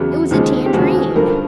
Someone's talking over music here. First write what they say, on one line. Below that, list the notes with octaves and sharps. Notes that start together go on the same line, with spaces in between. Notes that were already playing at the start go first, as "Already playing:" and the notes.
It was a tangerine.
Already playing: E2 C#3 F#3 B3
D#2 C#3 F3 G#3
G4
D#2 C#3 F3 G#3 F#4
G#4
G2 D3 F3 A#4